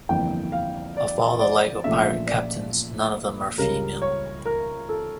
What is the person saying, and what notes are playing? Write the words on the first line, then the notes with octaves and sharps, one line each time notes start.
Of all the Lego Pirate Captains, none of them are female.
G1 F2 E3 A#3 G5
F5
D5
D5
A#1 A#2 A3 C#4 E5
D5
C#2 C#3 G3 A#4
C#5
A#4
A4